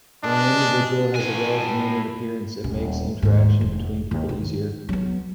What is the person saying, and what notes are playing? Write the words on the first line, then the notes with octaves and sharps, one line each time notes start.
When an individual has a well demeanored appearance it makes interaction between people easier.
G#3 D4
A2 G#5
D#1 C#4
D#2 G#2
F1
D#2
D#3 D#4
F#3 B3